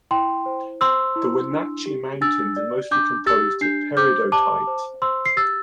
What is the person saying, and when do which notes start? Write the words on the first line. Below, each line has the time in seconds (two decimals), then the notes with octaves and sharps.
The Wenatchee Mountains are mostly composed of peridotite.
0.11 E4 G5 C6
0.46 C5
0.81 C5 C6 E6
1.16 E4
1.51 D4
1.86 G4
2.21 D4 E6 A6
2.56 D5
2.91 D4 D6 G6
3.26 G4 E6 A6
3.61 D4 G6 C7
3.97 C5 D6 G6
4.32 G4 A5 D6
4.67 C5
5.02 C5 C6 E6
5.26 C7
5.37 G4 E6 A6